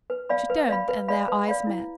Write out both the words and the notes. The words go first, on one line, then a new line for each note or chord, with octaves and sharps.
She turned and their eyes met.
B4
D5 F5 B5
B4
D5 F5 B5
B4
D5 F5 B5
B4
D5 F5 B5
E4